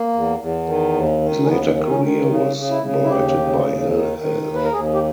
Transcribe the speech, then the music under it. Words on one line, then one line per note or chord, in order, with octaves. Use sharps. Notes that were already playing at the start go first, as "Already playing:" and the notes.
His later career was blighted by ill health.
Already playing: A#3
E2
E2
D#3
D#2
D#3
C#4
D#2 B3
D#3
C#4
D#3
C#3
C#3
E4
C#3
E4
D#2 G4
C#3
D#2
D#3
D#3
D#2
B4
A#4
D#2 G#4
G4